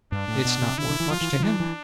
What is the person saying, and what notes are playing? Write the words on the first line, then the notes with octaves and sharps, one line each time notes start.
It's not worth much to him.
G2 D4
A2
B2
C3
D3 E4
D3
E3
F3 F4
E3
D3
F3
E3 D4
E3